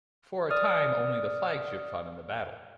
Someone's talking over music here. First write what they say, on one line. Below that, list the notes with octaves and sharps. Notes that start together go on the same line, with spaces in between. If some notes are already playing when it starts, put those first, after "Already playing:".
For a time only the flagship fought in the battle.
D5 D#6 F6